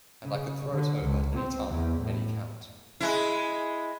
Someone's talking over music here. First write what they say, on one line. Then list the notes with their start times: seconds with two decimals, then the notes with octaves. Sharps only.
And I could throw it over at any time, any count.
0.23 C#3
0.69 D3
1.00 C#2
1.35 C4
1.69 E2
2.00 A2
3.00 G#3 E4